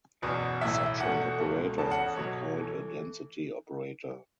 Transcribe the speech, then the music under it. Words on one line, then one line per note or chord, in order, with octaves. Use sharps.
Such an operator is often called a "density operator".
F#1 E2 B2 B3
B1 A2 E3 E5
E5
E2 B2 A3 F#5
C#2 B2 A3
E2 C#3 A3 A5
F#5
B1 B2 F#3 C#5
E3 A3